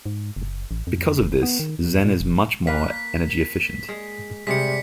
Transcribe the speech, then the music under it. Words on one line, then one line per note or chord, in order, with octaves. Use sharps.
Because of this, Zen is much more energy efficient.
G#2
F#1
A1
F2
F1
B3
D#3
E2
A#2
E1
A#3 B4 B6
G#3
C3 G3 G#3 B6 C#7